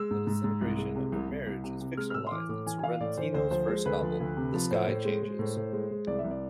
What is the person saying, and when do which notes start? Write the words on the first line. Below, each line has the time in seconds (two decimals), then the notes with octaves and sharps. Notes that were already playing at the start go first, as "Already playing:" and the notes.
The disintegration of their marriage is fictionalized in Sorrentino's first novel, "The Sky Changes".
Already playing: G#3 E6
0.11 G#2
0.27 G#2
0.44 G#2
0.61 C2
0.78 G#3
0.95 C3
1.12 C2
1.29 C2
1.47 C2
1.63 C3
1.81 C3
1.97 G#3 F6
2.10 F6
2.14 A2 E6
2.27 C6
2.32 E3 D6
2.49 A2 D6
2.66 E3 G#5
2.79 G#5
2.83 E3 F5
3.00 A2 D5
3.18 E3 C5
3.34 D2 C5
3.51 F3 C5
3.68 G#3 C5
3.85 D2 B4
4.02 F3
4.20 D2
4.37 C3
4.54 F3
4.71 A2 C5
4.88 A2
5.05 G#3
5.23 G#3
5.39 A2
5.56 A2
5.73 G#3
5.91 G#3
6.07 C2 D5
6.19 E5
6.24 C2
6.31 D5